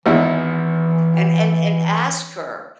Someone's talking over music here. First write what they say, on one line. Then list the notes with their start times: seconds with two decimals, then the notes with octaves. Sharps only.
And and and ask her.
0.06 G#1 E2 E3 E4